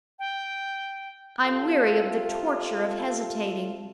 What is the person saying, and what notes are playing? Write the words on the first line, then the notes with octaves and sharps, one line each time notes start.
I'm weary of the torture of hesitating.
G5
C3 F4 A4